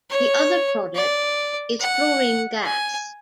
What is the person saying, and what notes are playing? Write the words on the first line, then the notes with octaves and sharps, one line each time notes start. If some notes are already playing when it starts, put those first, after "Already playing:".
The other product is chlorine gas.
C#5
D5
F#5
G#5